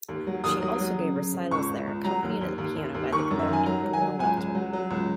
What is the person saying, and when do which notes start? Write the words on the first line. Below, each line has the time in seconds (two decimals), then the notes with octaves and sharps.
She also gave recitals there accompanied at the piano by the conductor Bruno Walter.
0.08 D#2
0.27 F#3
0.44 D#2 D#6
0.61 F#3
0.81 F#3
0.98 C#3
1.16 C#3
1.34 C#3
1.51 C#2 C#6
1.69 C#2
1.87 C#2
2.04 F#3 A#5
2.23 D#2
2.41 D#2
2.58 D#2
2.76 D#2
2.94 D#2
3.12 D#3 C#6
3.31 F#2
3.39 E5
3.48 D#3
3.53 G#5
3.66 F#3 A#5
3.84 F#3
3.93 G#5
4.01 F#3
4.19 C#2 G#5
4.37 C#2
4.55 F#3
4.73 F#3
4.91 C#2